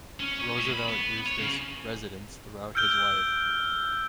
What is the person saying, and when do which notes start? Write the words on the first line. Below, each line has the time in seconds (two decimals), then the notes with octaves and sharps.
Roosevelt used this residence throughout his life.
0.20 C#4
0.41 C#4
0.57 A2
0.72 B5
0.88 B3
1.26 C#5
1.39 C#3
2.75 E6 F6 G6 D7 G7